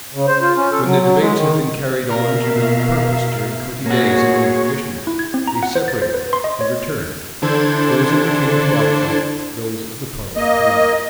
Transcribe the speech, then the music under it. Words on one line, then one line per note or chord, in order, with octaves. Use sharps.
When the debates had been carried on to no purpose during twenty days among the commissioners, they separated, and returned; those of the king to Oxford, those of the parliament to London.
C#3
C5
F4
C#4
A4
F#3
F#3
G#3
D#3
B2 A#4 E5 F5
A#2 A#3 F#4 G#4 C#5
E4
G#6
C4
A#5
F#5
C5
A6
C5
B4
C6
D#5
C#5
D3 E3 D4 A4 C5 G#6
A#3 D#5